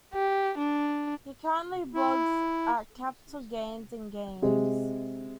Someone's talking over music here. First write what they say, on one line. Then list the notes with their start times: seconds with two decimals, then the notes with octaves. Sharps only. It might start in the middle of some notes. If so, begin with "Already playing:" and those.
He currently blogs at Capital Gains and Games.
0.14 G4
0.58 D4
1.94 E4
4.42 C3 G#3